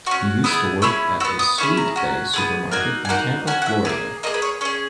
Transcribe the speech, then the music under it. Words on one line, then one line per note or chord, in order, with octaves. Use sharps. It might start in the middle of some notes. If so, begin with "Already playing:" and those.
He used to work at a Sweetbay Supermarket in Tampa, Florida.
C#4 F#4 C#6
B3 E4 G#4 D#6
C#4 E4 G#4 E6
F#4 E6
B3
D#6
C#4 E4 G#4 C#6
A#5
C#4 F#4
B3 E4 G#4
A#3 D#4 F#4 G#5
G#5
A#3 D#4 F#4 F#5
C#4 F#4 G#5
F#5
E5
A#3 E4 G#4
A#3 D#4 G#4 D#5
B4
C#5
C#4 G#4 C#5